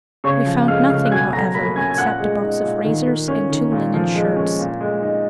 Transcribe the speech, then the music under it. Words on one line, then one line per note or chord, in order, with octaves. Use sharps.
We found nothing, however, except a box of razors and two linen shirts.
C#3 C#5 C#6
F3
G#3 F5 F6
C#3 F5 F6
F#6
B2 G#5 G#6
F#3 A#5 A#6
A#3 B5 B6
C#4 G#5 G#6
G#6
A#2 F#5 F#6
G#3
D#4
A#2
D#3
A#3
C#4
D#3
A#2
F3
G#3
C#4
A#2
G#3
D#4